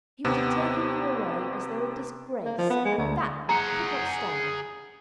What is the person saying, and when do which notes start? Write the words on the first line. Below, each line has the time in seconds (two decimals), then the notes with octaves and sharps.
He would have taken you away as though in disgrace, and that I could not stand.
0.24 D#2 C3 B3
2.45 A#3
2.58 F3
2.70 B3
2.85 G#3
2.98 D2
3.49 G#4 F#5 A#5